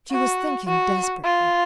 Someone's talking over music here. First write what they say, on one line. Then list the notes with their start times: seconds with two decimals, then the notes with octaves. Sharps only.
She was thinking desperately.
0.11 F#4
0.67 F#4
1.24 F4